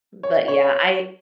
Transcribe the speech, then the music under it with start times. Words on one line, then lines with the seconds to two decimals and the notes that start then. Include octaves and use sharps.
Mm, but yeah, I
0.23 C#5
0.48 C#5